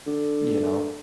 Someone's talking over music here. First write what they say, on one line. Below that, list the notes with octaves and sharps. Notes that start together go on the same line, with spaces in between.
you know?
D3